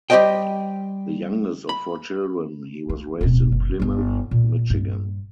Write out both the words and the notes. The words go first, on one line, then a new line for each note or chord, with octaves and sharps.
The youngest of four children, he was raised in Plymouth, Michigan.
G3 G4 A4 C5 D#5 G5
B5
A#3
D1 B2
F#1
G1 D#4
A#2
G2